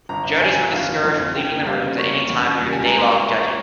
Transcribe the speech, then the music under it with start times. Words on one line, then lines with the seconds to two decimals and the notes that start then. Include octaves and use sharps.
Judges were discouraged from leaving the rooms at any time during the day-long judging.
0.09 G1 A#5
0.25 G1
0.40 F2 G#5
0.56 G1
0.72 G1 F5
0.89 E3
1.04 F2
1.19 F2
1.36 C#3 G5
1.51 A#3
1.66 G3 F5
1.82 C#3
1.98 A#3 C#6
2.14 C#3
2.30 E2
2.46 C#3
2.61 G3
2.73 C#2 G#5
2.86 A#5
2.93 A#3
2.99 C6
3.09 A#3 C#6